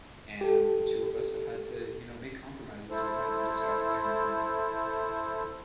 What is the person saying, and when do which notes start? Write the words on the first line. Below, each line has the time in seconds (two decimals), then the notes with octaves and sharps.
and the two of us have had to, you know, make compromises. We've had to discuss things and,
0.41 G4 A4
2.90 E4 A4 C5